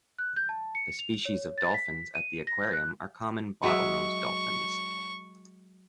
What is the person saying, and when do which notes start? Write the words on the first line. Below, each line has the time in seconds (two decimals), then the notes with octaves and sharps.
The species of dolphins at the aquarium are common bottlenose dolphins.
0.18 F#6
0.36 G6
0.49 A5
0.75 C#7
0.99 F7
1.25 C#5
1.58 A6
1.74 B6
2.15 D#7
2.47 A#6
2.73 F#6
3.64 F#3 G#3 E5 C#6